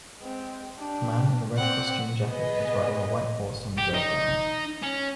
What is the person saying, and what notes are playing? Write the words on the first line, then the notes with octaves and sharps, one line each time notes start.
A man in a red costume jacket is riding a white horse on dirt ground.
G#3 C4
D4 G4
C4 D5 F#5
B3 G#4 B4 D#5
G4
D#4
C#4